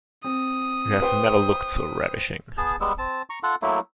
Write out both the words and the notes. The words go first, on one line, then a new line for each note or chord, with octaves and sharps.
You have never looked so ravishing.
C4 D#6
B4 C5 G5
B3 G#4 A5
G3 G#3 B3 E6
C4 A5
A#5 C#6
F4 A4 F#5
F#3 A3 A#3 E4